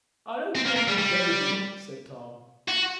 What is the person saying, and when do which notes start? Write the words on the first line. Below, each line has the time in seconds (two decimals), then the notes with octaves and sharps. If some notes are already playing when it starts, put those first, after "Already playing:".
"I don't think we'd better do it," said Tom.
0.55 C4
0.66 A#3
0.76 A#3
0.88 G3
0.98 G3
2.68 F#4